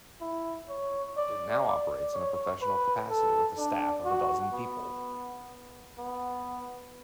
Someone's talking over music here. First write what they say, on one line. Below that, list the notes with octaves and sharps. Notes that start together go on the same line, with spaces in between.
It now operates in a professional capacity with a staff of a dozen people.
E4
C#5
D5
D5
C#5
B4
A4
D4
F#4
B3
B3